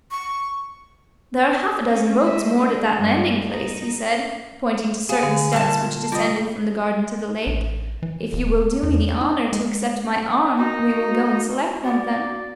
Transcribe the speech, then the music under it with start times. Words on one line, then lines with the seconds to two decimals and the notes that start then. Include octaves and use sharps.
"There are half a dozen boats moored at that landing place," he said, pointing to certain steps which descended from the garden to the lake. "If you will do me the honor to accept my arm, we will go and select one of them."
0.11 C#6
1.84 C4 C#4
2.24 G#3 E5
2.55 G#3 D4
2.99 G2 G3
3.49 D#4
5.09 G4 G#4 F5
5.23 D3 F5
5.53 A#2 G3 B3 A#4 A5
6.12 G3 D#4 F4
7.47 A1
8.03 E3
8.33 D1
8.83 E2
9.21 D#4
9.53 G#3
10.58 A#3 D#4 F#4
11.84 B3 F#4 D5